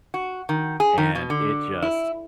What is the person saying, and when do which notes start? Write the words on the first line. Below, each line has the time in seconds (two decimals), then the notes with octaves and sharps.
and it just
0.14 F#4
0.49 D#3
0.80 G#4
0.98 D#3
1.15 B2
1.30 D3
1.82 E4